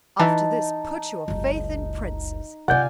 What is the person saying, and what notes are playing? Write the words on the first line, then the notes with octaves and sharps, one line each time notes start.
After this, put your faith in princes!'
E3 D#4 A5
F#1 C#2
C3 F4 D5 F5 F#5 G#5 G6